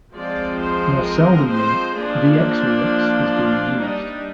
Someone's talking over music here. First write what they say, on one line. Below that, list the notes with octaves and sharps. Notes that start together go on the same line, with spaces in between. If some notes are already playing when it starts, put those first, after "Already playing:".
More seldomly, VxWorks is being used.
F3 G#3 C4 D5
C5
A#4
C5
F3 A#3 D4 G#4
F4
G3 D4 D#4